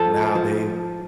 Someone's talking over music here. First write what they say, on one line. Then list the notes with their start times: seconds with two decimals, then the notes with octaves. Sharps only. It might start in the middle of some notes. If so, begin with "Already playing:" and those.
now they've
Already playing: F3 A4
0.35 F3